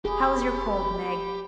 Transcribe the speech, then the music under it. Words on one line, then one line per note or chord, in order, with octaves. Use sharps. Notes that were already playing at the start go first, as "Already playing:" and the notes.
How is your cold, Meg?
F1 G4 G#4 B5